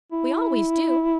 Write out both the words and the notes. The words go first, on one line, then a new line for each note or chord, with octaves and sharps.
We always do.
E4